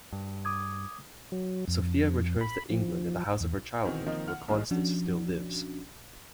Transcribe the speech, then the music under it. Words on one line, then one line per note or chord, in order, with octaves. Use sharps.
Sophia returns to England and the house of her childhood, where Constance still lives.
G2
D6 D#6 G#6
F#3
F2
B5
F3
E2
B2 D#3 E3 C4
D#3 F3 A#3 C4 D#4
F#5 F6
B1 E3 G#3
F3 C#4 D4 F#4